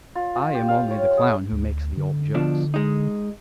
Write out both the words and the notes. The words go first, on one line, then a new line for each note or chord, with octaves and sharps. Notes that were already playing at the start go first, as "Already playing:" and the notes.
"I am only the clown who makes the old jokes."
F4
F4
G4
F5
C#5
G#4
D2
D3
B2 F3 D4
G#3 D#4